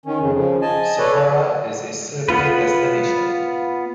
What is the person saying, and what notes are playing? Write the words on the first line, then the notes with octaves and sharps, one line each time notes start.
Sipora is a surfing destination.
D#3 C#4
F2 C#3
C#3 F3
D#5 G#5 A5
A4 B4 C#5 D5
B3 F4 B4